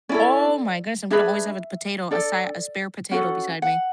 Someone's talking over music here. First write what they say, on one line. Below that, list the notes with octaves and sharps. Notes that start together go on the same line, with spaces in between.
Oh my goodness, I'm gonna always have a potato, as si a spare potato beside me.
C#4 E4 A4 D5
D4 G#4 B4 E5
D4 A4 D5
C#4 F#4 A4 F#5
F#5